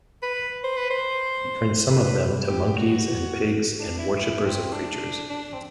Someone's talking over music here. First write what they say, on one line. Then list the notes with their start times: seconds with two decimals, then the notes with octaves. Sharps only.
He turned some of them to monkeys and pigs and worshippers of creatures.
0.23 B4
0.64 C5
0.77 B4
0.91 C5
1.91 B4
2.48 G4
2.76 F#4
3.79 D4
3.98 E4
4.17 E4
4.46 C4
4.73 D4
5.30 D4
5.54 C4